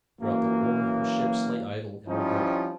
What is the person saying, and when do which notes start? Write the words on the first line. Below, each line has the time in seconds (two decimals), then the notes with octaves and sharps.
Throughout the war her ships lay idle in her harbour.
0.20 F#2 E3 F#3 A#3
2.08 F3 G3 C4 C#4 D#4 E4